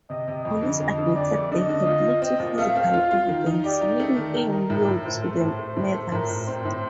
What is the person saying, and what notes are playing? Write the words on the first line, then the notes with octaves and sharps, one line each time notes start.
Police admitted they had little physical evidence linking Yoo to the murders.
C3 D#5
C3
F2 D#5
D3
F2
D3
F2 D5
A3
D3 D#5
D3
F4
F4
C4 D#5
A#2
A3 F5
C4
F4
F4
D#3
D#4
G4 D5
D#4
A3
D#3
D#3 A#4
D#4
A2
A2
A2 C5
A3
A2
A3
A2
A3
A2 A#4
A2
C4 C5
A2